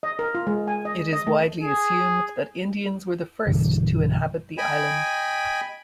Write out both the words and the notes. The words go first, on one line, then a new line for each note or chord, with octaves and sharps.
It is widely assumed that Indians were the first to inhabit the island.
D#5
A#4
F4
G#3
G#5
D#5
D#5
A3
G#4
B1 G2 D3 E3
D#5 G5 G#5 B5